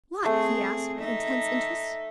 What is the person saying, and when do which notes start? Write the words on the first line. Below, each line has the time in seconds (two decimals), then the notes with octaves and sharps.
"What?" he asked, with intense interest.
0.26 A3 C4 G#4
1.00 D#4 E5